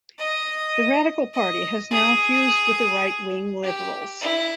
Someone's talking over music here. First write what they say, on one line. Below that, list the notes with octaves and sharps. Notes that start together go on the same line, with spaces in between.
The Radical Party has now fused with the right-wing Liberals.
D#5
D#5
G#4
G4
E4